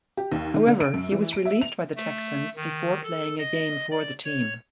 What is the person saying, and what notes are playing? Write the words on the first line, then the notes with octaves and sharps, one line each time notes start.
However, he was released by the Texans before playing a game for the team.
G4
D#2
D#3
D3
D7
F#2
E3
D7
E5
F7
A3
D#3
A4
D#5
D5
C#5